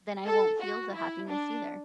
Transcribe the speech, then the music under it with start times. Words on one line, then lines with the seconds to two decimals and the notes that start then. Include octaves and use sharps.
then I won't feel the happiness, either.
0.24 A4
0.59 F#4
0.93 E4
1.28 D4